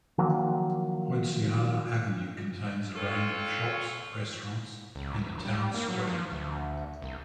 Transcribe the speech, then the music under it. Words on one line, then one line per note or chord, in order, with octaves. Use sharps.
Poinciana Avenue contains a range of shops, restaurants and a town square.
D#3 F3 F#3 A#3
C4 F4 A4 C#5
C#2
D1
G3
A#3
F#3
F3
D2
C2